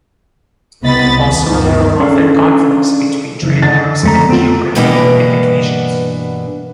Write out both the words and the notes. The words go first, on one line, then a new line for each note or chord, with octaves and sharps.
Also, there are often conflicts between trademarks and geographical indications.
C2 C3 B3 D#5 B5 A6
D#2 B3
D2 G2 B2 D#3
C#4 D4 G#4 A4 D5 F5
F#1 E3
D3 D#5 A6
F2 A3 A#5
B3 C4 F4
G2 B2 E3 A#3 B3 D4